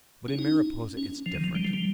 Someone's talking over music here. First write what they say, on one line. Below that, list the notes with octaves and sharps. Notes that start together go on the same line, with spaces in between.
But in Mariposa it's different.
C#4
D#4
C#4
F3
D#3
F3
G3
F3
G3